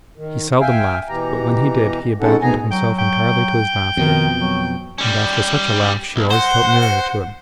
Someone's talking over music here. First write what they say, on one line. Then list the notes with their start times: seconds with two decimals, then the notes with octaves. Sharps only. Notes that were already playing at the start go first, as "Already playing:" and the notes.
He seldom laughed, but when he did he abandoned himself entirely to his laughter, and after such a laugh she always felt nearer to him.
0.18 D#3
0.61 E5 F5 G5 G#5
1.09 B2 E3 G4 A#5
2.21 F2 G#3 C#4 D#4 A4 F#5
2.42 D2 B3 D#4 G#4 G#5 A#5
2.71 F#3 G5
2.99 G5
3.97 F2 B2 D#3
4.39 F#3
4.98 G3 C#4
6.16 B1
6.31 C5 F#5
6.81 F#5